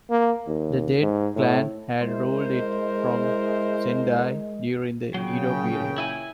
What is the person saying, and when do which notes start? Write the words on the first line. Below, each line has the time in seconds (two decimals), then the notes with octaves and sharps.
The Date clan had ruled it from Sendai during the Edo period.
0.11 A#3
0.47 D#2
1.02 G#2
1.36 A2
2.00 G#3 E4 A#4 C5
5.14 A#2 C#3 F#3 G5
5.98 E4 G#5